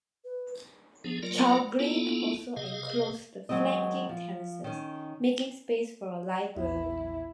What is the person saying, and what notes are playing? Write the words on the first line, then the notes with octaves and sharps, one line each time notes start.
Chalgrin also enclosed the flanking terraces, making space for a library.
B4
F3 B3 D4 G#4
F#3 A#3 F4 A#4 D5
A#3 B3 D4 E4 F4 A4
C3 G#4 D#5 F5
D#2 F#3 G#3 C4 D#5
F3
D#3 C#4
A#1 E2 E4